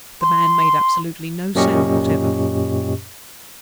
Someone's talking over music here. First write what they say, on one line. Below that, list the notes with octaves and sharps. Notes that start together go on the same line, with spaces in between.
The man made absolutely no sound whatever.
C6
F#2 A#2 C#4 G4 D#5 C#6